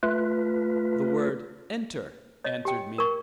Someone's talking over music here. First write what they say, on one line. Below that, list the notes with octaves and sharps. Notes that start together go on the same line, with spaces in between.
The word "Enter!" answered me.
A3 F4 B4
C#5 D#5
G4 G5
A#4 C#6